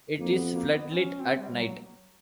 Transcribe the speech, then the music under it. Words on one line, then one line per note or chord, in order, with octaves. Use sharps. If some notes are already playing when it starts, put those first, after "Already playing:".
It is floodlit at night.
F2 A#3
B3
A#3
B3
C#4
C4
G3
F#3